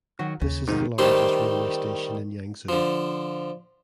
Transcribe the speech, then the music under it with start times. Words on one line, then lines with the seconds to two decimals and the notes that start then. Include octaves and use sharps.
This is the largest railway station in Yangzhou.
0.19 D#3 F#3 F#4
0.41 D#2 C#3
0.67 C2 F2 G#2 D#3 D#4
0.98 D#3 G3 A3 G4 C5
2.69 D3 F3